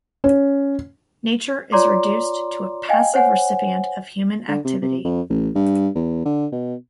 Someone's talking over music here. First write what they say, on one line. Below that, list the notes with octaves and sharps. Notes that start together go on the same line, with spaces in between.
Nature is reduced to a passive recipient of human activity.
C#4
F4 C#5 D5 A#5 C6 D6
D#5 F5 G5 G#5
C5 C#5 F#5 G#5
D3
C3
C3
F2
A1
G2
E2
D3
B2